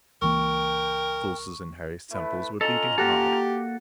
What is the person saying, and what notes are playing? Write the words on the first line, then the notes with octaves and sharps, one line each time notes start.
The pulses in Harry's temples were beating hard.
C#2 E3 A#3 A#4 G5 C#6
A3 E4 B4
C#4 F4 A4 D#5 A#5 F7
A#3 F#4 G4 A4